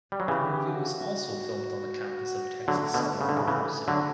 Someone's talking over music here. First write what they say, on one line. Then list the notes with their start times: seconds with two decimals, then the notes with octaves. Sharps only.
The movie was also filmed on the campus of Texas Southern University.
0.12 G3
0.20 F#3
0.28 C#3 E3 G4
0.68 F#4
2.67 D3 F#3 A3
2.94 B2 D3
3.21 C#3
3.29 D3
3.37 A2 C#3
3.48 C#3 E3
3.88 D3 F#3